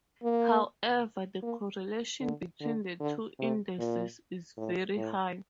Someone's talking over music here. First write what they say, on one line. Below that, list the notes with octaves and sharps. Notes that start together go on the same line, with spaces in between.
However, the correlation between the two indices is very high.
A#3
A#3
D3
D3
D3
C3
A#2
A2
A2